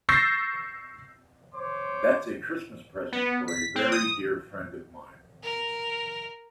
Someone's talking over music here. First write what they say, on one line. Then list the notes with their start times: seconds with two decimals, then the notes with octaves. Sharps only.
That's a Christmas present from a very dear friend of mine.
0.09 C#6 E6 G6 A6 A#6 C7
1.55 C5 C#5 C6 D6
3.12 B3
3.48 B6
3.76 C4
3.92 D#6
5.43 A#4